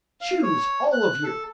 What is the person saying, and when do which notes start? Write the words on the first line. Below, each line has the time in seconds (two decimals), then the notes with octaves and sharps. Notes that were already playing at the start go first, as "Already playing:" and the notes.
"Choose, all of you!"
0.21 F5
0.43 C#5
0.93 F#6
1.23 A4